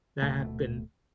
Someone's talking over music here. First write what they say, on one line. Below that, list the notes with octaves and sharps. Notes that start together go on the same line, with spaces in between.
that had been
D1 B2 A3